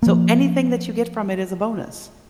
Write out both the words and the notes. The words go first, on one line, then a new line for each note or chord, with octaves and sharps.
so anything that you get from it is a bonus.
F3 A#3